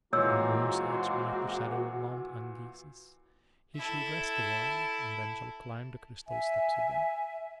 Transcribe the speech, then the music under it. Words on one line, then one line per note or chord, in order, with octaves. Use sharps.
On the moon's edge beneath the shadow of Mount Angises he shall rest awhile and then shall climb the crystal steps again.
A#2 E3 G#3 A#3 C4 F#4 C#5 E6
E4 A4
E5 G#5